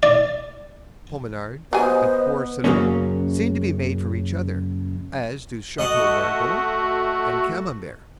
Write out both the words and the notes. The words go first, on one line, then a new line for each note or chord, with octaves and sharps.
Pommard and Port-Salut seem to be made for each other, as do Chateau Margaux and Camembert.
D5
F#3 B3 C5 D#5 G#5
F#2 A2 C#3 F#3 A#3 C#4
A3 F#4 D#5 F#5 A5